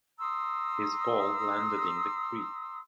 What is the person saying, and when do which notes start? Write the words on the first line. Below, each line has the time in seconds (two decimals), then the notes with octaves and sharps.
His ball landed in the creek.
0.19 A#5 C6 D#6 E6